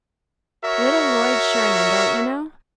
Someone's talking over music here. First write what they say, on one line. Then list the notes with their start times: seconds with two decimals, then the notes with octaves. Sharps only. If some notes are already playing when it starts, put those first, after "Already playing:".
Little Lloyd Sherman,--don't you know?
0.63 F#4 A#4 C#5 E5